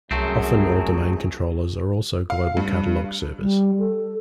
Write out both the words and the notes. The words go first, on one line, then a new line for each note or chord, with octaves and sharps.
Often all domain controllers are also global catalog servers.
C2 F#2 F#3 A3 C4 G#4 A5
F5
G2
G3
A4